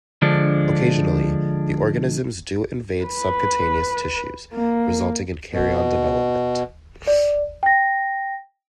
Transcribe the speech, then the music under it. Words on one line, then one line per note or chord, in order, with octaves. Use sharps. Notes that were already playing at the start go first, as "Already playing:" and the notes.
Occasionally the organisms do invade subcutaneous tissues, resulting in kerion development.
D3 F3 G#3 D4
B4
A#3
B2
D5
G5 A#6